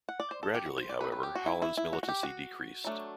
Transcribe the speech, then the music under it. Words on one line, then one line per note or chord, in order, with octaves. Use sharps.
Gradually, however, Holland's militancy decreased.
F#5
D5
C5
A4
G4
F#4
C5
D5
F#3 A3 C4 B4
B4
G4
F#4
E4
E4
E4
F#4
F#4
G4
F#4
F#3 A3 D4